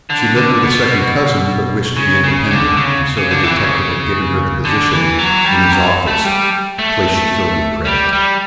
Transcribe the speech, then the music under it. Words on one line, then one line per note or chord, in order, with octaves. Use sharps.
She lived with a second cousin, but wished to be independent and so the detective had given her the position, in his office, a place she filled with credit.
D3
D3
B2
C#3
C#3
D3
C#3
C#3
D3
E3
C#3
D3
E3
F#3
G3
F#3
A3
G3
A3
G3
G3